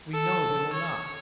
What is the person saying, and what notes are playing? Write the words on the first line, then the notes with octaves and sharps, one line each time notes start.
We know they will not.
A4
C#5